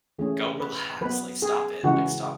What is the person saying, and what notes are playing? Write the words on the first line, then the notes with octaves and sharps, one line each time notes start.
go relax. Like, stop it. Like, stop
E3 A3 C#4 G#4
B4
F#3 B3 B4
G#4
C#3 E3 G#3 F#4